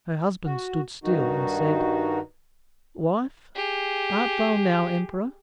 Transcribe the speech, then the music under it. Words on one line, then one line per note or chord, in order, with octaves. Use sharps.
Her husband stood still, and said, "Wife, art thou now emperor?"
F#4
G2 D#3 D#4 F#4
G4 G#4